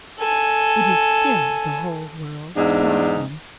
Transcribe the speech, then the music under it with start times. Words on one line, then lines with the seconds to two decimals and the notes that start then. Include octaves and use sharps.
It is still the whole world's problem.
0.19 A4 G#5
2.57 E2 G#2 D4 D#4